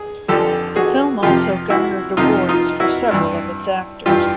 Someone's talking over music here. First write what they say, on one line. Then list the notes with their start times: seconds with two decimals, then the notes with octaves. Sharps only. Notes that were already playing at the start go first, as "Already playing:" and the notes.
The film also garnered awards for several of its actors.
Already playing: G#4
0.28 F2 D3 F3 G4 A4
0.76 F#4 G#4
1.22 F2 C3 F3 F4 G4
1.70 E4 F#4
2.17 F2 C3 F3 D#4 F4
2.49 D#4 F4
2.80 E4 F#4
3.11 G2 E3
4.06 G2 E3 F4 G4